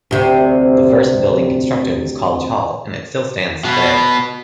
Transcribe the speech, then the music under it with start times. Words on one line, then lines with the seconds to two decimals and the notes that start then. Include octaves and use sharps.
The first building constructed was College Hall, and it still stands today.
0.11 D2 C3
3.64 B2 B3